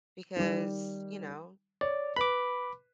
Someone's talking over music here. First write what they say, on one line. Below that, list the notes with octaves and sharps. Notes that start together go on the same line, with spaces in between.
because, you know
D#3 G3
C#5 D5
B4 B5 D6